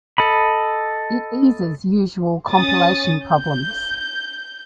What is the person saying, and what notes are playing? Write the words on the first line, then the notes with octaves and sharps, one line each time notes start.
It eases usual compilation problems.
A4 D#5 B5
C#4 D#6 A6
G6